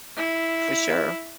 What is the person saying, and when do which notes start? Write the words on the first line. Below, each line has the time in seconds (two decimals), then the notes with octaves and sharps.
for sure.
0.17 E4